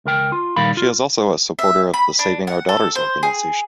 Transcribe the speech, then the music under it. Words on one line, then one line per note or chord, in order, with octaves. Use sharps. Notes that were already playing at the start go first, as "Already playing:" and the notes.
She is also a supporter of the Saving our Daughters organization.
C#2 A#4 G5
F4
A#2 D#3 G3 A#4 F5 B5
F4
E5
B5
D4
F#5
A4
C5
G#4